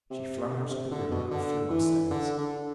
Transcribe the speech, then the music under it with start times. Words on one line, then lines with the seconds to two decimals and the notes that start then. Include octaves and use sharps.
She flung out of the room and flew upstairs.
0.10 C3
0.50 D3
0.70 C3
0.91 D3
1.11 B2
1.31 D3
1.70 E3
2.11 D3
2.37 D3